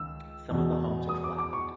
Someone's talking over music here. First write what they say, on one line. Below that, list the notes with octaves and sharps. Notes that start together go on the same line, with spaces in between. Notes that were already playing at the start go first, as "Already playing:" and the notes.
Some of the homes were flattened.
Already playing: C#2 D#3 E6
E2 B2
D#6
D6
D6
C#6